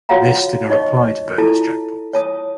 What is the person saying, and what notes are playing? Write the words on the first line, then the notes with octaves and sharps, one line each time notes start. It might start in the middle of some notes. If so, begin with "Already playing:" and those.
This did not apply to bonus jackpots.
F4 F#4 C#5 F5 F#5 A#5
D#4 C#5 D#5 C#6
E4 F4 A4 A5
C#5 A5 D#6